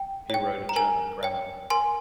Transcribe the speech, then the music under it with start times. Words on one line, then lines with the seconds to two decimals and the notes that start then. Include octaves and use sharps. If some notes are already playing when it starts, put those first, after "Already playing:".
He wrote a German grammar.
Already playing: G5
0.30 C#5 G5
0.69 A#5
0.76 A#4 G#5
1.23 C#5 G5
1.70 A#4 G#5 C6